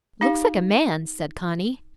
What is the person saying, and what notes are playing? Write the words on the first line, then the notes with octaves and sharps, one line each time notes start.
"Looks like a man's," said Conny.
D#4 G4 F5